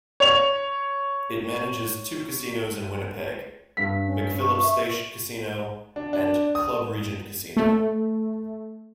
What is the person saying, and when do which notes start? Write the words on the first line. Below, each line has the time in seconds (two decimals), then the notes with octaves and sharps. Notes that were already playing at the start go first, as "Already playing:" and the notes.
It manages two casinos in Winnipeg: McPhillips Station Casino and Club Regent Casino.
0.20 C#5 F7
3.77 G2 B6
4.06 C#4
4.40 C#6
4.63 E5 C#6
5.96 D4
6.13 D4
6.55 D#6
7.57 A3